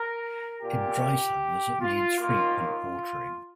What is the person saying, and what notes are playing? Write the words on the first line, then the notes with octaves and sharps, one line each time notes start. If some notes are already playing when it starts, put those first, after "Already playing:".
In dry summers it needs frequent watering.
Already playing: A#4
A#2 A#3 G4
F4
D#2 D#3 A#3 F4
F4